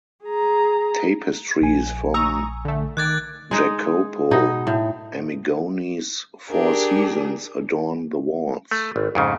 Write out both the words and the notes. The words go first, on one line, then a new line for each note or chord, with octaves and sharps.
Tapestries from Jacopo Amigoni's "Four Seasons" adorn the walls.
G#4 A#5
A#1 G#5
A#5 C#6 D#6 E6
D3 A3
D#3 D6 F#6 G#6 A6
G#3 D#4
B2 D#4
A2
D4 G4 G#4 A#4
A3
G#1
F2 G#2 C#3